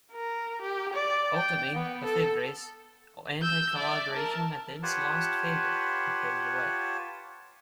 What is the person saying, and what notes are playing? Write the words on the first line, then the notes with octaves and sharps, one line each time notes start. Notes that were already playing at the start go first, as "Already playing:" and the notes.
Ultimately, LeFevre's anti-collaboration methods lost favor and faded away.
A#4
G4
D5
G5
B3
A4
E6 G6
D5 E5
A#4 A5
F4 G4 B4 C#5 F#5 A5